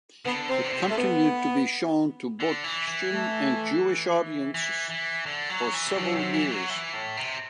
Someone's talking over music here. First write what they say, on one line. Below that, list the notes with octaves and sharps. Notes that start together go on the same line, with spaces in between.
It continued to be shown to both Christian and Jewish audiences for several years.
D3 B3
C3 C4
D3
C3
A3
B3
D3
E3
E3
A3
E3
E3
D3
F#3
E3
C3
D3 F#3
C3
E3
F#3
E3
A2
C3